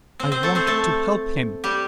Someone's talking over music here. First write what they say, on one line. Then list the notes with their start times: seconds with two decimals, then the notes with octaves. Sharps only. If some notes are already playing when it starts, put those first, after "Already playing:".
I want to help him.
0.20 C4 C5
0.32 C4 C5
0.43 A3 A4
0.55 C4 C5
0.67 A3 A4
1.64 G3 G4